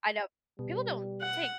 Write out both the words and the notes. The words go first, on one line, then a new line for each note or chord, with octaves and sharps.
I know, people don't take
B2 G3
F#5